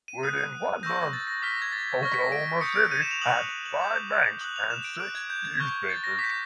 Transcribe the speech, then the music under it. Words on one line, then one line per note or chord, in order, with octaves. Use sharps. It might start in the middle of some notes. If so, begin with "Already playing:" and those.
Within one month, Oklahoma City had five banks and six newspapers.
D#7
D#6 F#6
D#7
C#6 E6 G6 A#6
A6
A#6
D6 F6 B6
A#6
G#6
A6
C#6 F6 A#6
B6
A#6
D7
D#6 G6 C#7
D7
D#7
E7
F7
D#6 F#6 F#7
F#7
D6 G6
D#6 F#6 F#7
F7
E7
D7
D6 F#6 D7
G#6
G6
G#6
C#6 F6
A6
A#6
D6 G6 B6